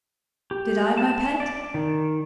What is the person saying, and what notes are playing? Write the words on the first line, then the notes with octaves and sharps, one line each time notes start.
"Did I, my pet?"
G4
A5
D5
D#3